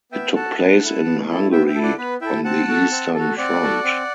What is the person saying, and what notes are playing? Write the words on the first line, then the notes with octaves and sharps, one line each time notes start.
It took place in Hungary on the Eastern Front.
B3 E5 G5
F#4 A4 F#5 A5
B3
E4 A4
B3
E4 A4
B3 E5 G5
E5 G5
E4 A4
D5 F#5
B3 B4
E4 A4 E5 G5
C4 F#5 A5
F#4 A4
C4
F#4 A4
C4 D5 F#5
F#4 A4
C4